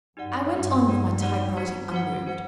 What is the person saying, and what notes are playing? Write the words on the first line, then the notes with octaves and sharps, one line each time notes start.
I went on with my typewriting, unmoved.
F#2 D#4 G4 D5 F#5
G2 D#4 G4 D5 F#5
D#4 G4 D5 F#5
D#4 G4 D5 F#5
G2 F#4 C5 F#5
F#4 C5 F#5
F#4 C5 F#5